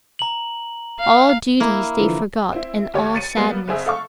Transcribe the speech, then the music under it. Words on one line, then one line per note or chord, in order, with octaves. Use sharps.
All duties they forgot, and all sadness.
A#5 F#7
F5
A#3 E4
D3 E3 F3
C4 E4
D#2 G4 C#5
A6 C#7 D#7
G3 A#3 B3
F#1 C4 G#4 E5
A4 F5 C#6